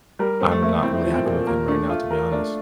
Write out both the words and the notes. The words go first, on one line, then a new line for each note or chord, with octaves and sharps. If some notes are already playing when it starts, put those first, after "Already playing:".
I'm not really happy with him right now, to be honest.
G3 A#4
A3 C4
A3
A3 A#3
C4 E4
F3
C4
A#2
A#3 A#4
A3 D4
A3 F4
A#4
A3 D4